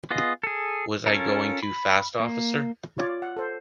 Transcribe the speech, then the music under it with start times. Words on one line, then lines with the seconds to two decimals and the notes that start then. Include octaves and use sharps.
Was I going too fast, Officer?
0.11 B3 F4 G#4 D#5
0.44 G#4 A4
1.06 C#4 F4 A4 A#4
1.63 B5
2.20 A#3
2.98 F4 C#5 D5
3.22 F#5
3.37 A4 C5